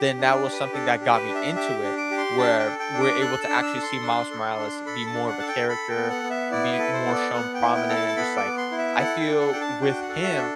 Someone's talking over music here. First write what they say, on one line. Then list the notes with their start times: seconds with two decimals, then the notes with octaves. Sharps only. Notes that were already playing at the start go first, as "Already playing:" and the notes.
then that was something that got me into it where we're able to actually see Miles Morales be more of a character and be more shown prominent, and just, like I feel with him,
Already playing: G4
0.18 D4
0.32 D5
0.46 G4
0.52 B4
0.73 D4 A4
1.01 G4
1.14 B4
1.28 D4
1.35 E5
1.56 G4 E5
1.83 D4
1.97 D6
2.11 G4
2.18 C6
2.38 D4 A5
2.59 G5
2.66 A4
2.79 G5
2.94 D4
3.00 D6
3.21 A4 F#6
3.42 E6
3.49 D4
3.62 E6
3.76 A4
3.82 C6
4.03 D4
4.31 A4
4.58 D4
4.86 A4 B5
5.06 A5
5.13 D4
5.27 F#5
5.40 A4 A5
5.48 G5
5.69 A4 B5
5.90 G5
5.96 B3
6.10 F#5
6.24 B3
6.30 E5
6.51 E4 D5
6.72 B4
6.78 A4
6.93 C5
7.06 B3
7.13 D5
7.34 B3 F#5
7.54 G5
7.61 E4
7.75 G5
7.89 A4
7.96 A5
8.08 A5
8.16 B3 B5
8.37 D6
8.44 B3
8.57 C6
8.72 E4
8.78 E5
8.99 A4 F#5
9.20 G5
9.27 D4
9.40 F#5
9.53 D4 G5
9.61 A5
9.82 F#4 G5
10.02 F#5
10.09 A4
10.23 E5
10.36 D4